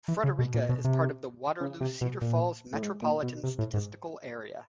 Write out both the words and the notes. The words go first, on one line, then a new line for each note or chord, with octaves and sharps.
Frederika is part of the Waterloo-Cedar Falls Metropolitan Statistical Area.
E3
C#3
B2
A#2
B2
C3
C#3
C3
B2
A#2
A2
G#2
A#2
B2
C3
A2
G#2